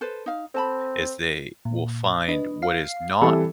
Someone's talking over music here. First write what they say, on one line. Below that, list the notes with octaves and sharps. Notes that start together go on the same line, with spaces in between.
is they will find what is not
A4 B4 C5
D#4 F5
C4 A4 A5 B5
A#2
D4 B4 D#5
F5 C7
E3 G3 C4 A4 E5